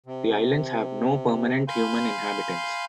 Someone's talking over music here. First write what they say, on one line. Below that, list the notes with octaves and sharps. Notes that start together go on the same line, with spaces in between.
The islands have no permanent human inhabitants.
C3
F5 G#5 B5 C6 G6